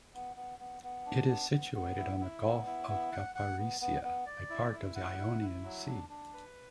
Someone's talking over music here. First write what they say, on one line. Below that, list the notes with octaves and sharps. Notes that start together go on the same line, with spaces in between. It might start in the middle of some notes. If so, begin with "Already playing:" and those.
It is situated on the Gulf of Kyparissia, a part of the Ionian Sea.
B3
B3
B3
B3
D4
B3
B3
B3
E4
E4
B3
E4
B3
F#5
F#5
B3
B3
B3
D5
E4
E4
F#5
E4
E4
F#3
D4
D4
B4